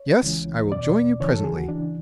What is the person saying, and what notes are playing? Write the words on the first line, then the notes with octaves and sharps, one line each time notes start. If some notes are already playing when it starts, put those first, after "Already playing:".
"Yes, I will join you presently."
Already playing: C#5
C#2 C#3 E3
E2 B2 D5
D2 C#3 E3 C#5
A4
G#4
F#4
C#2 C#3 E3 D4